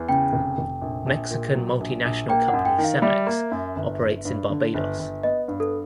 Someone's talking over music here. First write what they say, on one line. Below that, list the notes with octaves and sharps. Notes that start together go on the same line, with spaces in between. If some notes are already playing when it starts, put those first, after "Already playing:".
Mexican multinational company Cemex operates in Barbados.
Already playing: E2
C#3 G5
F1
F1
A#1
A#1
A#2
F#3
A#1
A#1
A#3 G5
F#5
F#2
G5
D#3
F5
G3 E5
A#3
F#2
G1
G1
G2
D3
G1
G1
B3 D#5
G2
A4